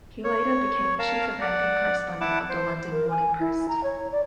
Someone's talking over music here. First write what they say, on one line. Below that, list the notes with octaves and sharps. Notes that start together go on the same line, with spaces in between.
He later became Chief American Correspondent of the London "Morning Post".
C#5
A#4 F5 A5
D5 F#5
E4 F#5 A5 D6
C5
A#4
G#5
E4
A#5
C#5
D5